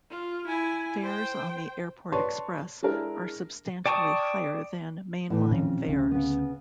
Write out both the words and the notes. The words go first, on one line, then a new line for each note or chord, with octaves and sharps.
Fares on the Airport Express are substantially higher than main line fares.
F4
E4 G#5
C5 G5
B4 C#5 D5 A5 C6 C#6
G#3 D4 E4 A#4
D5 G5 A5 C#6 D#6
E2 A2 E3
F2 A#2 D#3 F3 C#4
D2 C#3 C#4
C#3 B3